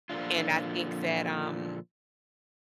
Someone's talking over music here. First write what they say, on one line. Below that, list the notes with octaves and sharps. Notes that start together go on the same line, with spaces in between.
And, I think that, um
A#2 D3 F3 D4 F4